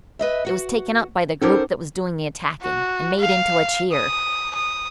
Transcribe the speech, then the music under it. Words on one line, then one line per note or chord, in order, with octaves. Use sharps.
It was taken up by the group that was doing the attacking, and made into a cheer.
B4 D#5 E5
F#4 F#5
C#4 D#4 A4 A#4 C5 D6
F#4
F5
D#6
D#6